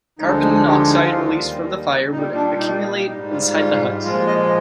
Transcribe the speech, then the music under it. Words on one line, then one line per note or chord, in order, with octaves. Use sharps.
Carbon monoxide released from the fire would accumulate inside the hut.
D2 D3 F3 G#3 D#4
D#4
G4
F4
D#4
F4
D#2 D#3 G3
A#2 G3 D#4
D4
D#4
F4
G#2 G3 D#4
F4
F4
A#2 F3 G#3 F4
D#5